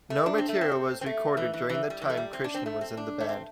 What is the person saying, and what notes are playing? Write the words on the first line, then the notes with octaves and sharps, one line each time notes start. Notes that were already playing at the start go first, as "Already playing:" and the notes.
No material was recorded during the time Christian was in the band.
A3
D4
C4
A3
C4
C4
A3
E3
E3
E3
G3
E3
A3
G3
C4
D4
C4
A3
C4
D4
A3
C4